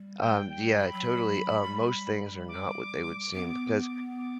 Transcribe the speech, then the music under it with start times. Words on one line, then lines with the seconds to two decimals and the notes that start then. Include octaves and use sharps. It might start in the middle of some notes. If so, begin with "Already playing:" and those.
Um, yeah, totally. Uh, most things are not what they would seem because,
Already playing: G3
0.21 G5
0.49 G5
0.78 F#3 B5
0.93 F#3
1.63 G3
2.48 D6
3.34 B3
4.18 D6